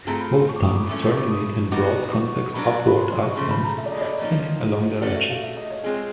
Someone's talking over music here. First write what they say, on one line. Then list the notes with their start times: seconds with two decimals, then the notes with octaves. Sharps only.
Both tongues terminate in broad convex-upward ice fans thinning along their edges.
0.07 A3 C4 F4 G#4 A#5
0.20 B5
0.35 C6
0.49 C#6
0.56 D6
0.62 D#6
0.76 D6
0.89 A#2 F3 A3 C#4 E4 D6
1.03 C#6
1.17 D6
1.31 D#6
1.72 G3 B3 D#4 F#4 D6
2.13 C#6
2.54 B2 F#3 B3 D4 B5
2.88 B5
2.96 C6
3.10 C6
3.23 C#6
3.37 C#3 F3 A3 C6
3.51 B5
3.64 A#5
3.78 E5
3.86 D5
3.92 D#5
4.01 D5
4.06 C#5
4.19 A#2 F3 A#3 D#4
5.02 A3 C#4 F#4 A4 D5
5.16 E5
5.30 F5
5.43 E5
5.57 D#5
5.71 C#5
5.84 G#3 C4 F4 G#4